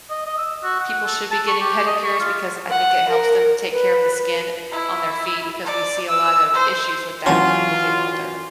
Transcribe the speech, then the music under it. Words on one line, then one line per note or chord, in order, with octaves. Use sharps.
people should be getting pedicures because I think it helps them take care of the skin on their feet, because we see a lot of issues with that when people get older.
D#5
D#5
E6
F#4
F#5
A4
A5
C#6
G4
D#5
C#6
F4
F#5
A#4
B4
E4
D5
E6
C5
E3 F#3 C#4 F4 F#4 C6